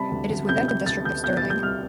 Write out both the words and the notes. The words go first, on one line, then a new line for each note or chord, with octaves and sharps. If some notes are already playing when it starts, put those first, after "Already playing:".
It is within the district of Stirling.
Already playing: C3 G3 A5 B5
D2
D2
C3 G6
G3 G6
D2 A6
D2 G6
B2 G6
A6
G3
G6
C2 F6